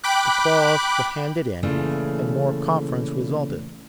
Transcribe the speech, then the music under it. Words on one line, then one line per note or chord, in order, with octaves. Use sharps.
The clause was handed in, and more conference resulted.
G5 B5 D6 F#6
A#2 C#3 E3 A3